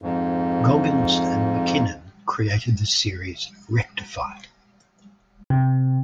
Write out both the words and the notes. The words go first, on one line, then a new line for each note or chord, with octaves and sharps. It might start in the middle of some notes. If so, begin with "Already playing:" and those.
Goggins and McKinnon created the series "Rectify".
F2 G#2
C3